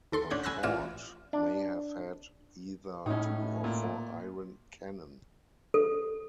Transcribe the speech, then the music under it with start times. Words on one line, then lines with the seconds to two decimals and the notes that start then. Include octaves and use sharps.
The fort may have had either two or four iron cannon.
0.12 D#2 A4 C6
0.30 A1 C#4 D4 F#5 G6 G#6
0.43 G#5 B5 E6 F#6 A#6
0.63 A1 E3 F4 D5 E7
1.33 D4
3.06 A2 C#4 D#4
3.64 A#2
5.74 A4